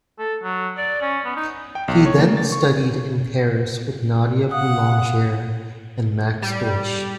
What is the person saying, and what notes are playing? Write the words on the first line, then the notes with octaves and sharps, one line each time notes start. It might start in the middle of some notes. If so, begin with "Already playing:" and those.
He then studied in Paris with Nadia Boulanger and Max Deutsch.
A4
F#3
D5
C#4
B3
D#4
G5
B1
C#5
A#3
A6
C#6
F5 F#5 D#6
G3